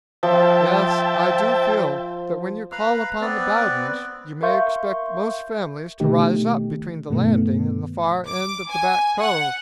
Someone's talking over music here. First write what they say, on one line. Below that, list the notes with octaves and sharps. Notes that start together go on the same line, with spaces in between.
Yes, I do feel that when you call upon the Bowdens you may expect most families to rise up between the Landing and the far end of the Back Cove.
F3 E5 G5 A5
B4 F5 A#5 B5
B3 C4 B4 D5
A#4 E5 F5 C6 C#6 G6
B2 D3 D#3 A3 D#4 G4
G2 B2 D#3 A3 B3
D6
G#5
F#5